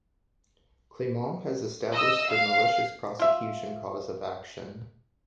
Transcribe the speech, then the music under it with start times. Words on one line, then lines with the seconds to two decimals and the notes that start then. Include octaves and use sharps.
Claimant has established her malicious prosecution cause of action.
1.92 D#5 E6
2.29 F5
3.19 F4 E5